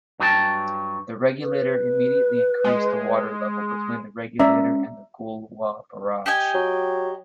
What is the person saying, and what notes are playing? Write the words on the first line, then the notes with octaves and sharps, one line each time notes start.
The Regulator immediately increased the water level between the Regulator and the Goolwa Barrage.
G2 F#3 D#4 G#4 G5 A5
B4
G#3
G#3 C#4 D5 E5 A#5
G4 D#5 G#5
F#3